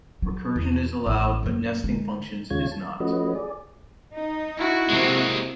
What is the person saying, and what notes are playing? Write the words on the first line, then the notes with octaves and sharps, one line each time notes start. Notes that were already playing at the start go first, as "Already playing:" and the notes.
Recursion is allowed, but nesting functions is not.
F#3
E2
A1
F#2 A#3
D3 G#3
D#2 C#3 G#3 F4 C#5 G#6
A5
F3 A3 C#4 F#4 B4 D#5
G#4 D5
D#4
E4 F#4
C3 G#3 A#3